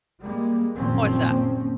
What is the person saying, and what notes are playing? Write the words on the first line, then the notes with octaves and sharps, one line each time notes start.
What was that?
G3 G#3 A#3
F#1 D#2 A#2 F3 C4 C#4